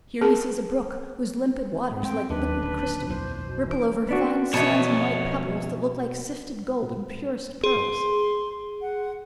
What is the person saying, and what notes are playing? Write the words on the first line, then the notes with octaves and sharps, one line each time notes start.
Here he sees a brook whose limpid waters, like liquid crystal, ripple over fine sands and white pebbles that look like sifted gold and purest pearls.
C4 G#4 A#4
G#3 C4 G5
D#2 F#3 G#3 C#4 D4 B4
D1
B1 F2 E3 C5
B2
E3 D7
B3 D4 F#4
F2 B2 E3 C#5 A5
G#4 C6
F#5